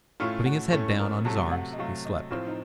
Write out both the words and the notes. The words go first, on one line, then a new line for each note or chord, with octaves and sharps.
Putting his head down on his arms, he slept.
A2 A3 C#4 F4
F#4
A2 A3 C#4 A4
A#4
C3 F#3 A3 A5
F#5
D#5
C3 F#3 A3 F5
D#5
A2 F3 C4 F4
D#4